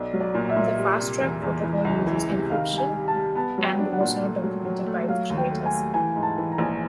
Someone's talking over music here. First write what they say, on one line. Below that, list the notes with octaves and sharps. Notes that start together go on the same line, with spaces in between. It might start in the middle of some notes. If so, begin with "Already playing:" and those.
The FastTrack protocol uses encryption and was not documented by its creators.
Already playing: B1 D5
F#3
D5
A#2
E5
A#2
G3
C3
E2
E2
E3
C#2
E3
C3
D#3 F5
G3
G#5
G3
A5
G3
B3 A5
F#3
G5
D4
F#5
A#2
A3
F#3
F#3
A3
F#3 F5
D#2
G5
A3
G#5
A3
E3 G#5
G#2
A5
E3
A#5
A#1